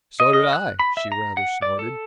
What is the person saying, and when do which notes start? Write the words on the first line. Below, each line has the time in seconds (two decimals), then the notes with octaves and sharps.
"So did I!" She rather snorted.
0.20 D#5
0.33 D#5
0.53 F#6
0.79 B5
0.97 E5
1.12 A#5
1.37 F#5
1.62 D5
1.79 A4